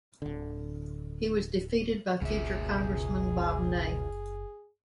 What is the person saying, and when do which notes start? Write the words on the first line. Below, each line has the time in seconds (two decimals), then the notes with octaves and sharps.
He was defeated by future Congressman Bob Ney.
0.22 D1 D3
2.21 F#1 C#2 B2 G#4 E5